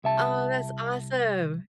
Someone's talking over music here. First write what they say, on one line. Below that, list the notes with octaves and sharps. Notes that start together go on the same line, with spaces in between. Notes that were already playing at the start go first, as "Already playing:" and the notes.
Oh, that's awesome.
C2 E5 A5